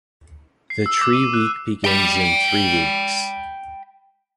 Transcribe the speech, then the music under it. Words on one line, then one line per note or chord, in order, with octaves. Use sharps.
The tree week begins in three weeks.
C7
E6
D6
D#7
F#6
G5 B5